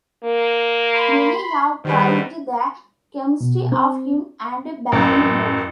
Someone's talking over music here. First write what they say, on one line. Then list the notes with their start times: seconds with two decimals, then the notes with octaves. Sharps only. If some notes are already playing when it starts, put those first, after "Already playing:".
Many have praised the chemistry of him and Barrymore.
0.25 A#3
0.94 B5 C6
1.85 G#2 D#3 G3 B4
3.41 B2
3.72 C4
4.92 A1 F#2